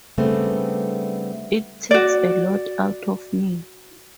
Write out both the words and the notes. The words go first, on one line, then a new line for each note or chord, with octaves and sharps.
It takes a lot out of me.
C#3 G3 A3 B3 C4 D4
F#4 D5